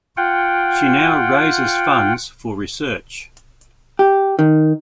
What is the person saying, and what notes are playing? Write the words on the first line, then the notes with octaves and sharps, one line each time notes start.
She now raises funds for research.
F4 F#5 G5
G4
D#3